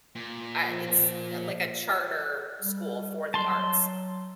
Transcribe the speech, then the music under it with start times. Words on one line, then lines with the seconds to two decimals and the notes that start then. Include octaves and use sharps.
uh, it's uh, like a charter school for the arts,
0.15 A#2
0.66 F3
2.60 G3
3.34 F#3 A5 C6